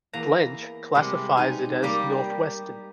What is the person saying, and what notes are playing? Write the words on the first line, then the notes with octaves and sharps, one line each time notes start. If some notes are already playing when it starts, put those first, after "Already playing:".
Blench classifies it as "Northwestern".
E2 A#3 A#5
C3 G3 G#3
D#4 G#5
G3 A#3 G4 D5 D#5